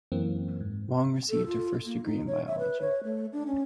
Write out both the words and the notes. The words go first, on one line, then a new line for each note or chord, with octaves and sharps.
Wong received her first degree in biology.
F#2 E3 A#3 C4
G#2
A4
F4
A#3
D#4
C#5
E5
B4
C#5
A3
D4
C#4